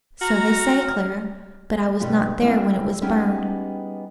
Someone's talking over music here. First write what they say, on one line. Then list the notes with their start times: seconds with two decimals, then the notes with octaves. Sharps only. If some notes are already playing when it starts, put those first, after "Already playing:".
"So they say, Clara; but I was not there when it was burned."
0.21 F#4 A#5 F6
2.00 G2 B2 G3 G#3 B4
2.42 G3 G#3 A#3 C4 E4
3.02 G3 B3 C#4 D#4 G4 G#4